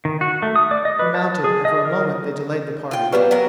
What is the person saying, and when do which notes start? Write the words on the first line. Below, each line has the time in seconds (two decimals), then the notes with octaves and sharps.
He mounted and for a moment they delayed the parting.
0.05 D#3
0.21 F#4
0.42 A3
0.56 D#6
0.71 D5
0.85 D#5
0.99 B4
1.15 A5
1.44 G#4
1.65 D#5
1.85 A#4
2.91 F4 G5
3.12 F#3 G3 B3 G4 B4 F5
3.31 F#3 B3 A#4